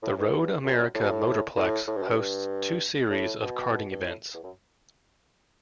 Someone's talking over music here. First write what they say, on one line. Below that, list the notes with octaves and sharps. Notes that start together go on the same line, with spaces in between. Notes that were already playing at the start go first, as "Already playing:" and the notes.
The Road America Motorplex hosts two series of karting events.
A2
G2
E2
F#2
A2
B2
A2
A2
A2
G2
F#2
G2
G2
A2
B2
G2
A2
E2
F#2